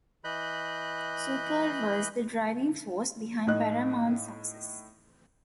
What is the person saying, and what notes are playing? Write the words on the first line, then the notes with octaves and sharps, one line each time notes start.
Zukor was the driving force behind Paramount's success.
E3 D#5 B5 F#6 G6
A2 D#4 D#5 F#6